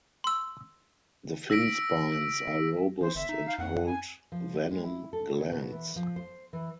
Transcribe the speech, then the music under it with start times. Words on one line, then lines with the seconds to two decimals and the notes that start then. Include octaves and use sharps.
The fin spines are robust and hold venom glands.
0.24 C6 E6
1.50 E6 A#6 B6 D7
3.01 E3 C5
3.15 G1 E5
3.29 D#4
3.46 F5
3.59 F2 F#5
3.86 G#5
4.32 F3
4.54 G4
4.71 G#3
4.84 E4
5.13 A4
5.38 C#5
5.51 B2
5.72 E3
5.96 F3
6.16 C5
6.53 E3